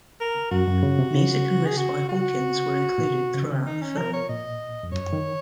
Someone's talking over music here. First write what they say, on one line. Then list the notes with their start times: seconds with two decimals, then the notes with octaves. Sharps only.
Music and riffs by Hawkins were included throughout the film.
0.20 A#4
0.51 F#2 F#4
0.68 F#2
0.83 C#3
0.99 C3
1.15 C#3
1.66 G#4
1.77 F#4
2.09 F#4
2.98 A#2
3.04 C3
3.34 C#3
3.43 D#3
3.51 C#3
3.66 D#3 D#4
3.82 C#4
3.97 F3 A#4
4.13 C#5
4.29 A#2 D#5
4.83 F2
4.92 F#2 C#5
5.13 D#3